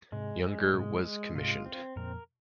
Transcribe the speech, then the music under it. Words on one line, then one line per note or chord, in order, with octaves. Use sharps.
Younger was commissioned.
G#2 C3 G#3
G#3
G#2 C3 G#3
G#3
G#2 C3 F4
C4
F2 A#2 A#4